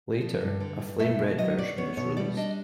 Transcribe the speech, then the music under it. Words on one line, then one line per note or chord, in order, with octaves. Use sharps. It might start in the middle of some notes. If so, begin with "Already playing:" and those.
Later, a Flame Red version was released.
F3
G2
D3
G2
A3 E5
B2
F#3 D#5
C#4 D5
B3 C#5
B2 C#5
G3 D5
D4 D#5